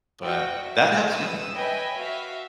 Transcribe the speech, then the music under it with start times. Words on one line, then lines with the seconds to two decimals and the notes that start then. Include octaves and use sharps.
But, that helps me.
0.23 F#4 G5
0.64 E5
1.10 B4 D#6 E6
1.56 B4 C#5 D#5 E5 G5 G#5
2.00 F#4 E5 F5